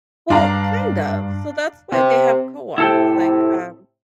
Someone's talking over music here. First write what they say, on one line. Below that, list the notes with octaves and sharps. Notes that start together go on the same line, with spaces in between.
Well, kind of. So that's why they have co-ops, like, um,
G2 D4 F5 A#5
C3
A2 C3 E4 A4 G5